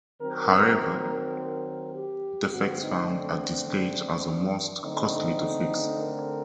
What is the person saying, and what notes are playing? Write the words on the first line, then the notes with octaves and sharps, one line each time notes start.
However, defects found at this stage are the most costly to fix.
D#3 F#3 C4 A#4
A#4
G4
D3 A3 C4 F#4
D#4
D4
D4
D3 A3 C4 D#4
A#4